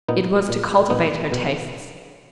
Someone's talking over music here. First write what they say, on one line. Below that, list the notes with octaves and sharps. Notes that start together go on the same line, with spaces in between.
It was to cultivate her tastes.
A#2 B3 D#4
A#2
A#2 B3 D#4
B2